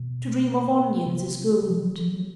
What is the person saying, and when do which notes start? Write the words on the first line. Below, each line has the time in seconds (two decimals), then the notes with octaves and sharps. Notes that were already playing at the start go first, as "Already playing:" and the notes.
To dream of onions is good.
Already playing: B2
1.06 C3
1.68 F3
1.83 F#3
1.98 F3
2.14 F#3